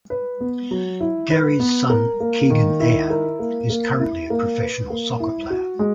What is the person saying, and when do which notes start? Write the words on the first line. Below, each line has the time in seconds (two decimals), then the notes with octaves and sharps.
Garry's son Keegan Ayre is currently a professional soccer player.
0.10 B4
0.41 B3
0.71 F#3
1.00 E4
1.30 B4
1.60 B3
1.90 A#4
2.20 A#3
2.50 D#3
2.80 E4
3.10 A#4
3.39 A#3
3.70 A#3
3.99 E4
4.30 A#3
4.60 B4
4.90 A#3
5.20 E4
5.50 F#4
5.79 G#3